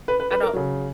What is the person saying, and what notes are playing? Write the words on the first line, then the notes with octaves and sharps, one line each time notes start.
I don't
B4
B4
B4
A#4
C#3 F#3